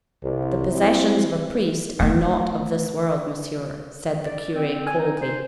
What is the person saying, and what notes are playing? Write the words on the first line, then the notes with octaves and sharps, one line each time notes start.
"The possessions of a priest are not of this world, Monsieur," said the cure, coldly.
C2
G3 C4 E4
A3 B3
D5
C4
G#5
D#4
C5